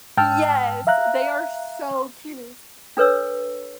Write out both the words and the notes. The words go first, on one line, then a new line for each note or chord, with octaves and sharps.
Yes, they are so cute.
G#2 G5 A5 E6 F6
E5 F5 A#5 F#6
D4 A4 B4 C#5 E6